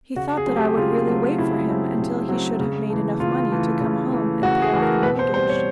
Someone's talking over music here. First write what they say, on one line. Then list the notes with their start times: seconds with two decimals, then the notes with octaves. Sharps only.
He thought that I would really wait for him until he should have made enough money to come home and pay off the mortgage.
0.16 C#3 F#4
0.37 G#4
0.46 F#3 A3 C4
0.56 G4
0.77 C#3 F4
1.07 F#3 A3 C4
1.38 C#3 E4
1.68 F#3 A3 C4
2.00 C#3
2.29 F#3 A3 C4
2.59 C#3
2.90 E3 A3
3.20 C#3 F4
3.52 E3 A3
3.81 C#3
4.12 E3 A3
4.42 C#3 F#4
4.62 G#4
4.72 E3 A3
4.82 A#4
5.03 B2 B4
5.19 C5
5.34 G3 C4 C5
5.49 C#5